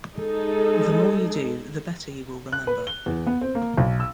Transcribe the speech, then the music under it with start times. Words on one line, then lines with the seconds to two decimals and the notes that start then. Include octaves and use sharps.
The more you do, the better you will remember.
0.15 G#3 D#4 A4
2.52 F#6
2.67 B4
2.87 G7
3.06 E2
3.27 B3
3.41 C4
3.55 A#3
3.77 B1
4.00 E6